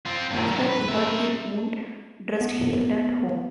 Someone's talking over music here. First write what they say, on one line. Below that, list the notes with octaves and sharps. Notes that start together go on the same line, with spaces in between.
After he had the wound dressed he returned home.
C4 F4
G2 D#3
G#2 F#3
B4
A#4 E5
B3